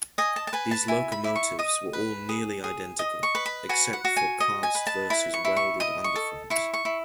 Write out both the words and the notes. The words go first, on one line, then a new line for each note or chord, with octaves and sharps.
These locomotives were all nearly identical, except for cast versus welded underframes.
D#5 G#5
A5
A5
B4 G#5
A5
E4 G#5
B5
E4
C#6
D#5 D#6
B4
G#4
G#4
D#5
C#6
B4
B5
F#4 G#5
F#5
F#4
G#5
D#5
G#5
B4
A5
E4 B5
C#6
E4
C#6
D#5 D#6
C#6
A4
E4 C#6
C#6
E4